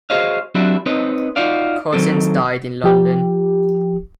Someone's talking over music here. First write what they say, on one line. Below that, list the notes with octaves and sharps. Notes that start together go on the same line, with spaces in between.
Cozens died in London.
F#4 G#4 C5 C#5 D#5 F5
F#3 C4 D4 E4 F#4 G4
C4 D#4 B4 C#5 D#5
D#4 F4 F#4 D5 F5
D#3 F3 F#3 C4 A4
F3 G4